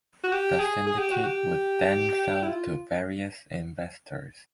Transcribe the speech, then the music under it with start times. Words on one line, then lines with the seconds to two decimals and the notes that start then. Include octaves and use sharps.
The syndicate would then sell to various investors.
0.24 F#4
0.33 G4
0.60 G#4
0.87 G#4
0.99 G4
1.12 F#4
1.24 G4
2.43 E4
2.49 F4